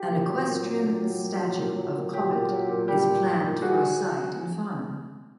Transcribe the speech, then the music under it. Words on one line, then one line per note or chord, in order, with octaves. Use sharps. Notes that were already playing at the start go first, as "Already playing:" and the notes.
An equestrian statue of Cobbett is planned for a site in Farnham.
Already playing: G4
A#2
F#3
A#2
F#3
A#2
F#3
A#2
F#3
A#2
F#3
A#2
F#3 G4
A#2
F#3
A#2
G3 G4
A#2
G3
A#2
G3 F#4 G#4